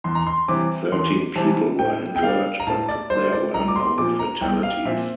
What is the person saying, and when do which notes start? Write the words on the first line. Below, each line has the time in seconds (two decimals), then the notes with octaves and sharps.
Thirteen people were injured, but there were no fatalities.
0.04 E2 C6
0.15 A#5
0.27 C6
0.48 C3 E3 G3 C4 D6
0.92 E2 C6
1.35 C3 E3 G3 C4 A5
1.79 A2 G5
2.16 G5
2.23 G3 D4 F5
2.60 A#5
2.67 A2 A5
2.89 D5
3.10 G3 D4 C5
3.32 D5
3.54 C2 A#5
3.68 D6
3.76 C6
3.98 A#2 F3 C4 D6
4.19 A#5
4.41 C2 G5
4.63 F5
4.85 A#2 F3 C4 E5